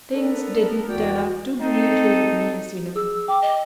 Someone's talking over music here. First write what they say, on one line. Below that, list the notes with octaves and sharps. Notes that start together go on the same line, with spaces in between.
Things didn't turn out too brilliantly with me, as you know.
B3 D4 A4 A#4
E2 F#4 D5 G5
C4 D#4 A4
G#4 E6
G5 D6
D#5